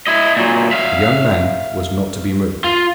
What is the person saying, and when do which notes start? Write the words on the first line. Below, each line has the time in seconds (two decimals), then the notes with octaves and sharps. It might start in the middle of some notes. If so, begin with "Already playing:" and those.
The young man was not to be moved.
0.07 E4 D#5
0.36 A#2 F#3
0.72 E5 F5
2.64 F4